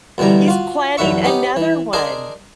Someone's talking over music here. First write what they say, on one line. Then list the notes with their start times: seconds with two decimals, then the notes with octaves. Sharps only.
he's planning another one!
0.18 D2 B2 E3 G3 A#5
0.48 F4 F#4
0.98 A1 F#2 D3 B4 E5 C#6
1.24 B3 C#4 D#4 G4
1.57 E3
1.93 D4 G#4 A#4 C5 D#5